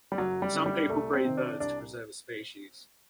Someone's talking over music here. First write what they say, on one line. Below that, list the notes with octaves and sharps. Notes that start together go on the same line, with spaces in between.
Some people breed birds to preserve a species.
G3
F#1 F#3
G3
F#2 D3
G3
C2 A3
C4
C3 D#3
D4
C2 D4